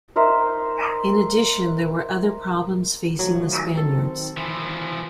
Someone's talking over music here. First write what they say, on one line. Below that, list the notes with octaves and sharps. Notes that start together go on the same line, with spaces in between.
In addition there were other problems facing the Spaniards.
D#4 A#4 C5 E5
D#3 F3 F#3 A3
C4 A4
E3 F3